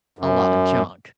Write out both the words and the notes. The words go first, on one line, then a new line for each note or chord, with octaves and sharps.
a lotta junk.
F#2